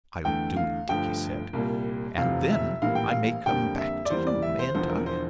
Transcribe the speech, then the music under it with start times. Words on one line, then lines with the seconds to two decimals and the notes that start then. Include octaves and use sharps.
"I'll do it," Dickie said, "and then I may come back to you, mayn't I?"
0.25 E2 D3 A3 G5
0.56 F5
0.89 G1 G2 F3 A3 G5
1.53 C2 A#2 G3 A#3
2.18 F1 E2 C3 F3 F5
2.50 E5
2.82 A#1 A2 E3 G3 A#3 F5
2.95 G5
3.09 F5
3.46 F2 D3 G3 A#3 G5
3.79 E5
4.05 D5
4.10 E2 E3 G3 A#3 C5
4.27 D5
4.42 E5
4.59 C5
4.74 E1 E2 D3 F3 C5
4.90 A#4
5.06 C5